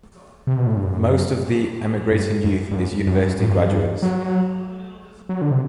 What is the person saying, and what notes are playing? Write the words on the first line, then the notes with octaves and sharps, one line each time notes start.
Most of the emigrating youth is university graduates.
C3
B2
A2
G2
F#2
G2
F#2
G2
F#2
F#2
G2
F#2
A2
G2
F#2
G2
F#3
F#3
D3
C3